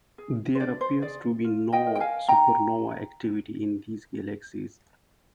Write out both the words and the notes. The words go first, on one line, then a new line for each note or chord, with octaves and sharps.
There appears to be no supernova activity in these galaxies.
G#4
C5
D4 D5
C5
G#4 D5
F4
D#5 G5
A#4
G5
F5 G#5
D#4 G5 A#5